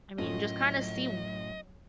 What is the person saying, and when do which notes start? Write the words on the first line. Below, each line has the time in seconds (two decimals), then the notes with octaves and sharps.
I mean, just kinda see w
0.18 F#2 A2 F#3 C#4 F4 A4 D#5